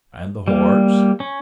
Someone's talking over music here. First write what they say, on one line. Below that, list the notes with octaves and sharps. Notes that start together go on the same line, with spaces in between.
"And the horse?"
G3 A#3
C#4